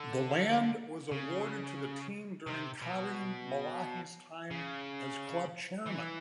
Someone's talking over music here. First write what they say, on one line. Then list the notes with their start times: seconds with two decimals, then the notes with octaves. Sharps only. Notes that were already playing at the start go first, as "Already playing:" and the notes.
The land was awarded to the team during Karim Malahi's time as club chairman.
Already playing: D3
1.11 C#3
2.47 C3
2.82 B2
4.51 C#3
5.86 E3